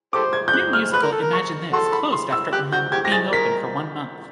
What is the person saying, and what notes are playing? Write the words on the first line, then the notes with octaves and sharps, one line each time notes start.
New musical Imagine This closed after only being open for one month.
G4 A4 C5 D6
G#6
G6
F#6
F6
B4 F#6
A#4
A4
A#4
C#6
F#4 A4 C6
B5
C6
E6
G4 F#6
F#4 G6
G4 G#6
G4 A#6
G#4 A6
A#4 B6